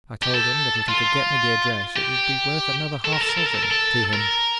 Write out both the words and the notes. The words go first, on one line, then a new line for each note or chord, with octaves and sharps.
I told him that if he could get me the address it would be worth another half-sovereign to him.
G4
A4
F4
G4
A4
A#4
A4
A#4
A4
A#4
A4
A#4
A4
A#4